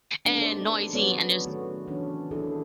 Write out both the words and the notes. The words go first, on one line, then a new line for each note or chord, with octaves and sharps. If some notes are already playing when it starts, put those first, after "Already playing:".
and noisy, and there's
A3 B3 C4 D4
D4 D#4 G4 G#4 C5 D5
F#3 B3 C#4 F#4 C#5 D5
D#3 A3 C#4 F#4
E3 C#4 D4
D#3 C#4 D4 E4 G#4 A4